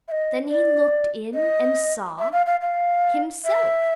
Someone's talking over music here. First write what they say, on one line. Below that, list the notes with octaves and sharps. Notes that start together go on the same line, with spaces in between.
Then he looked in and saw--himself.
E5
D#5
D5
D#5
E5
F5
F5
F5
E5